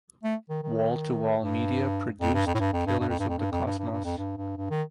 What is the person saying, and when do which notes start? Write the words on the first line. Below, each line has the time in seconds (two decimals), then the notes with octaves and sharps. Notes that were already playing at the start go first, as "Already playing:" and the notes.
Wall to Wall Media produced "Killers of the Cosmos".
0.23 A3
0.50 D#3
0.63 D#3
1.41 G2
2.21 F2
2.34 G2
2.47 F2
2.54 A2
2.60 G2
2.73 F2
2.86 G2
2.99 G2
3.09 F2
3.19 G2
3.29 F2
3.39 G2
3.52 F2
3.65 G2
3.79 G2
3.92 G2
4.04 F2
4.18 G2
4.37 G2
4.57 G2
4.70 D#3